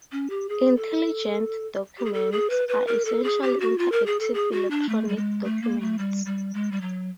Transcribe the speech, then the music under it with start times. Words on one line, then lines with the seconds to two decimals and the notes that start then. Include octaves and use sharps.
Intelligent documents are essentially interactive electronic documents.
0.12 C#4
0.30 G4
0.49 G#4
0.76 A4
1.98 G4
2.05 G#4
2.13 A4
2.32 G#4
2.50 B4
2.68 B4
2.87 A#4
3.05 A4
3.24 G#4
3.42 G4
3.60 F#4
3.78 F4
3.92 A#4
4.06 G#4
4.20 A4
4.34 G#4
4.52 F#4
4.71 D4
4.89 A3
5.09 G3
5.17 G#3
5.44 A3
5.62 A#3
5.81 A3
5.99 G3
6.26 G3
6.54 G#3
6.72 G3
6.81 F#3